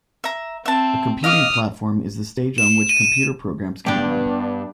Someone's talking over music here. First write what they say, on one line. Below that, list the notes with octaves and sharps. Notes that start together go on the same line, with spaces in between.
A computing platform is the stage on which computer programs can run.
E5 A#5
C4 E5 A5
D#5 F5 D6 D#6 F6
E7
D#7
G2 B3 D4 G4